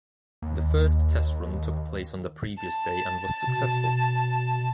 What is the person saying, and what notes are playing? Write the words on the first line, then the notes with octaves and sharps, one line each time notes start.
The first test run took place on the previous day and was successful.
D#2
A5
B2